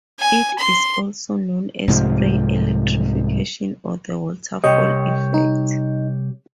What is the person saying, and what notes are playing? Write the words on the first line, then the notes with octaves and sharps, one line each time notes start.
It is also known as spray electrification or the waterfall effect.
G#5
C6
C2 G#2 C3 F3
C2 G4 C#5 D#5 G5
D#4